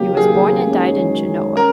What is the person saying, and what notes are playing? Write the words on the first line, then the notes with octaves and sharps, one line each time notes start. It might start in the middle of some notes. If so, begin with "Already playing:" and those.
He was born and died in Genoa.
Already playing: D#2 C#3 F#3 A#3 G4
G#4
F#2 D#3 G#3 C#4
A#4